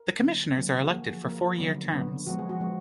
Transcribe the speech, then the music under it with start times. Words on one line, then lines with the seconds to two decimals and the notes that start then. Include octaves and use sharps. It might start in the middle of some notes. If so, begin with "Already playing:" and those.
The Commissioners are elected for four-year terms.
Already playing: A#4
0.22 D3 F#3 A#3
0.56 D3 F#3 A#3
0.83 F#4
0.90 F3 A#3 G#4
1.24 F3 A#3 A#4
1.58 D3 F#3 B3
1.92 D3 F#3 B3
2.26 F3 G#3 B3 F#4
2.38 G#4
2.49 F#4
2.60 F3 G#3 B3